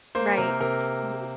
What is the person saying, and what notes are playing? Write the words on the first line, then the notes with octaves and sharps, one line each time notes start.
Right. See,
A#3 C5
C3 A#4
C3 A#4